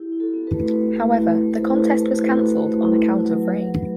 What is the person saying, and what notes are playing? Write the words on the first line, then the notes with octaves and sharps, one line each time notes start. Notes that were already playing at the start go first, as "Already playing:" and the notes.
However, the contest was canceled on account of rain.
Already playing: E4 G4
E4
F#4 A4
C4
G4 B4
A3
A3
A3
E4
A3
B4
E4 A4 C5
E4 G4 B4
A3 G4 B4
E4 F#4 A4
A3 G4 B4
A3
E4
A3
F#3
F#3
F#3